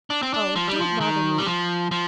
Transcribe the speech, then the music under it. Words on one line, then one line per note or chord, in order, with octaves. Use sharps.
'Oh, don't bother me.
D4
C4
D4
F3
G3
F3
D#3
G3
F3
F3